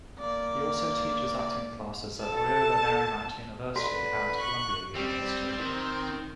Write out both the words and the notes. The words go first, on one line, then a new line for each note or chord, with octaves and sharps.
He also teaches acting classes at Loyola Marymount University and Columbia University.
A#3 D5
A4 A5
D3 F#4 B4
C#6 F#6
G3 C4
D#3